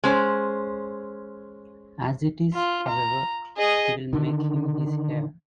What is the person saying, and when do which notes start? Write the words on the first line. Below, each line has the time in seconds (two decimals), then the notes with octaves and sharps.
As it is, however, he will make him his heir.
0.04 G#3 C#4 C5
2.53 F4
2.88 A#5
3.57 G#4 D#5
4.13 D3 D#3